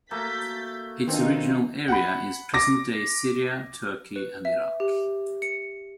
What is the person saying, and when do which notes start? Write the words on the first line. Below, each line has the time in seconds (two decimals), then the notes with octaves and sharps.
Its original area is present-day Syria, Turkey, and Iraq.
0.11 A3 A#3 F#4 G6 A6 B6
1.08 B2 D#3 C4 D4 D#4 F4
1.88 F#5 B5
2.54 D6 A#6
4.16 B4
4.45 E5
4.80 G4
5.42 C#7